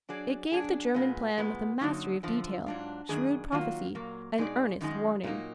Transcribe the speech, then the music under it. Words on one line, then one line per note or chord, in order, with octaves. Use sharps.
It gave the German plan with a mastery of detail, shrewd prophecy, and earnest warning.
F#3 D4 G#4 D5
F#3 D4 G#4
A#2 G#3 B3
A#2 G#3 B3
F#2 D3 F#3 A#3 D#4
F#2 D3 F3
G#2 F#3 D4 F4
F#2 D#3 A#3 D4 G#4
D#3 F#3 A#3 F4
A#2 F#3 A#3
B2 G#3 D#4 G#4 D5
F#2 D#3 G#3 D#4 G#4
A#2 F#3 A#3 D#4